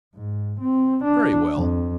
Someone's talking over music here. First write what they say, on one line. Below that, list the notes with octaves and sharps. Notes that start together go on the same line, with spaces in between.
"Very well."
G#2
C4
D4
F2